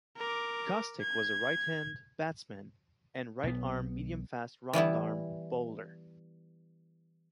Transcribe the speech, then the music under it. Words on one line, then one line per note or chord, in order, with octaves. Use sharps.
Cosstick was a right-hand batsman and right-arm medium-fast roundarm bowler.
A#4 D6
G#6
B1 B3
E3 G3 B3 E4